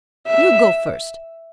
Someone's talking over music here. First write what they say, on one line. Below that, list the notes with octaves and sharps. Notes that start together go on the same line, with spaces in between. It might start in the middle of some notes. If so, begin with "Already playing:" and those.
"You go first."
E5